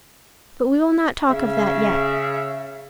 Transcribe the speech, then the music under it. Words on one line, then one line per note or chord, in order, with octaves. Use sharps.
But we will not talk of that yet.
C#3 E5